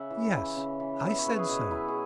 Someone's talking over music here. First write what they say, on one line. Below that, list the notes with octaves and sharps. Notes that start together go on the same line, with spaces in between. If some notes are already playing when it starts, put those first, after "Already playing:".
'Yes, I said so.
Already playing: C#3 E5 F#5
E3
C#3
C#3
E3
B3
E5
C#5
C#3 B4
G#4
B2 F#4
F#3 E4
G#4